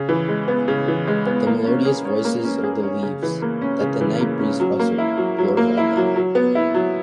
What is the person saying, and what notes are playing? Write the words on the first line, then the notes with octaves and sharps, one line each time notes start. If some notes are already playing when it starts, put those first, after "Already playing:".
The melodious voices of the leaves, that the night breeze rustled, glorified them.
Already playing: C#3
E3
G#3
B3
C#3
E3
G#3
B3
A#3
C#4
G#4
C#5
A#3
C#4
G#4
C#5
C#3
E3
A#3
C#4
C#3
E3
A#3
C#4
F#3
A#3
E4
F#3
F#3
A#3
E4
F#3
F#3
B3
E4
F#3